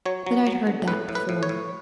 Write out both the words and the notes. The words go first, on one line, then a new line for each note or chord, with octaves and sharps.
But I'd heard that before.
F#3 C#5
F#3
F#3
D3
A2 B4
A2
B4
A2
C#5
A2